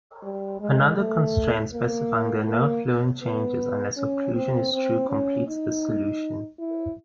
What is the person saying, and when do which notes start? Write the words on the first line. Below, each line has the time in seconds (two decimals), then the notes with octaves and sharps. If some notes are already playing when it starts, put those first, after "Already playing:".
Another constraint specifying that no fluent changes unless occlusion is true completes this solution.
0.23 G3
0.60 G#3
0.97 A3
1.73 A#3
2.48 A#3
3.23 B3
3.97 C#4
4.34 C4
4.73 C4
5.09 C#4
5.47 D#4
6.59 E4